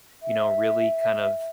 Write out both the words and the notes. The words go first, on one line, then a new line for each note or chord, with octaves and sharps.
you know, really kind of,
E5